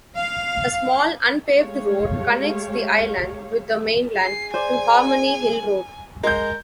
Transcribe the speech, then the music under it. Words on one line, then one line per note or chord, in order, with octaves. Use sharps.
A small unpaved road connects the island with the mainland to Harmony Hill Road.
F5
G#3 A3 G4 C#5 F5
G#4 C7
C5 D5 G#5
G#3 A#4 G6